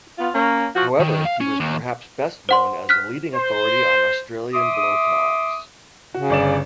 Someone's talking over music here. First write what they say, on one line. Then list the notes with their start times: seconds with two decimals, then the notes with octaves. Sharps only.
However, he was perhaps best known as a leading authority on Australian blowflies.
0.19 B3 F4
0.34 A#3 C#4
0.75 F3 F#4
1.00 D#3
1.25 F5
1.41 C#4
1.60 D#2
2.49 C5 F#5 C6
2.89 F6 F#6 B6
3.35 C5
4.54 E5 C6 D6 D#6
6.14 C#3 F#4
6.30 G1 D5 E7